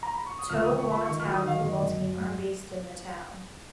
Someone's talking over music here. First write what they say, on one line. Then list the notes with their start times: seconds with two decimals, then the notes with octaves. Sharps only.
Tow Law Town football team are based in the town.
0.03 A#5
0.15 B5
0.26 C#6
0.39 D#6
0.49 C#2 F6
0.64 D#6
0.69 C#2
0.78 C#6
0.87 C#2 B5
1.05 D#3 C#6
1.20 F6
1.25 F#3
1.33 D#6
1.43 D#3 F5
1.61 F#2 D#5
1.80 F#2
1.98 F#2
2.17 G#2